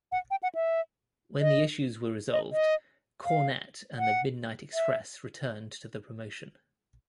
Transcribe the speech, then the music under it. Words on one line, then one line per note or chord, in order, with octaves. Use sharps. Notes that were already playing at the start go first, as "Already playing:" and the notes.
When the issues were resolved, Cornette and the Midnight Express returned to the promotion.
F#5
G5
F#5
E5
D#5
D#5
D#5
F5
F#5
E5